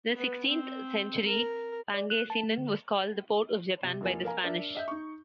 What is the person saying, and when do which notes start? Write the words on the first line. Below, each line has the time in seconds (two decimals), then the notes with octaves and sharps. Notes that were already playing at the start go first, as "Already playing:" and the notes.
In the sixteenth-century Pangasinan was called the "Port of Japan" by the Spanish.
0.16 B3
0.48 C4
1.26 A#4
1.94 D5
2.10 F#6
2.30 A5
2.43 A3
2.57 D3
3.83 C3
4.01 F1 A#3 F4 G#5
4.25 A#4 F5 G#5 A#5
4.44 D4 A#4 E5
4.75 D#5 E5 G6
4.88 D#4 C#6